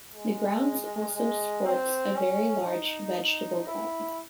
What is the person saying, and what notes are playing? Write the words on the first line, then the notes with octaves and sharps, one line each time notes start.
The grounds also sports a very large vegetable garden.
G#3
G#3
C4
C#4
D#4
D#4
E4